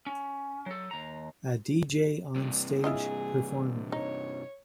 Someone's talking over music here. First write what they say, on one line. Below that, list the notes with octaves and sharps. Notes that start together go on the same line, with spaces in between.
A DJ on stage performing.
C#4
F#3 A4
D#2 A#5
G2 C3
E4 F4 G#4 D#5
D#4 C#5